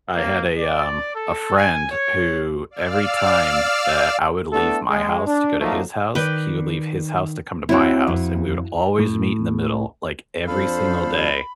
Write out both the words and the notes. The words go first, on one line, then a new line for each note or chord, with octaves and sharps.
I had a, um, a friend who every time that I would leave my house to go to his house, he would leave his house to come to my house, and we would always meet in the middle, like, every single day.
A#3
D5
A4
G#5
C#5
D5 F5 E6 F6
A3 B3 D4 E4 A4
G#3
D4
F3 F#3 A3 A#3 D#4
D#3 B4 D5 G5
C4 E4 F#4 C#5 G5
F2
A2
F2 D4 A4 C5 F5 B5